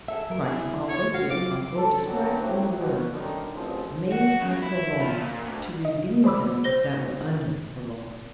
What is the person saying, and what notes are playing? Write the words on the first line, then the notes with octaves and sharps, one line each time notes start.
Christ's office the Apostle describes in the words: "Made under the law, to redeem them that were under the law."
G#4 A4 E5
F#3 A#4
E4 G#4
C#5
F#4 F5
F#3 F4 D6
A4
D3 F#3 B3 C#4 G4 A4
A2 C3 F#3 C4
D#2 F#4
F#2 D3 D#3 G3
A1 F#2 F3 C4 G#4 C5
F#4
C#3
E4
F3
A#2
D2
D#5
G#4 C5 D5 B5 D6 E6
C5 A#6 G7